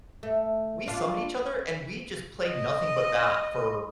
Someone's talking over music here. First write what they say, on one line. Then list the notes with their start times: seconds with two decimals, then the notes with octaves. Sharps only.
we summoned each other, and we just played nothing but that, for
0.23 A3
0.88 D4 F4 F5
2.47 D#5